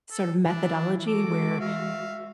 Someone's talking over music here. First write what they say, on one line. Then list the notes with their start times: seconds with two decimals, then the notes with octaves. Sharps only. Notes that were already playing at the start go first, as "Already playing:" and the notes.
sort of methodology where
0.11 A4
0.46 E3 D4 E4
1.06 G#3 F#4 A4 D6
1.60 E5 F5